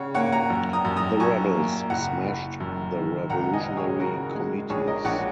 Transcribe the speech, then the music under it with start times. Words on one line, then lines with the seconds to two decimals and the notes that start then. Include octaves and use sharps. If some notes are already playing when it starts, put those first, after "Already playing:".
The rebels smashed the revolutionary committees.
Already playing: C#3 C#5 F#5
0.14 A#3 C#5 F#5
0.32 F#5 A#5
0.50 F#2
0.73 A#5 D#6
0.85 F#2
0.97 A#5 D#6
1.20 F#3 G#5 C#6
1.55 A#3
1.90 F#1 F#5 A#5
2.25 F#1
2.60 F#2
2.95 D#3
3.30 C#2 F#5 A#5
3.53 D#5 G#5
3.65 C#2
3.77 G#4 C#5
3.99 C#3 F#4 A#4
4.35 G#3
4.70 A#1 G#4 C#5
4.87 A#4 D#5
5.05 A#1 C#5 F#5